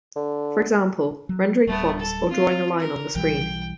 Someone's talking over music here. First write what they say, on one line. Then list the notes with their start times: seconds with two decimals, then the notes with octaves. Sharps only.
For example: rendering fonts or drawing a line on the screen.
0.16 D3
1.29 F#3
1.67 D1 G3 A3 B3
1.99 A4
2.31 C4 F4
2.79 A#4
3.15 B1 E3 G3 G5